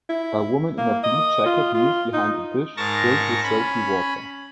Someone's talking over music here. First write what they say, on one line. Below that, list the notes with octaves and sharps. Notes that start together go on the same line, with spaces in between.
A woman in a blue jacket kneels behind a dish filled with soapy water.
E4
A#3
D#5
F4
F4
D#4
G#2 A#4 A5 C#6 A#6
C#4 B5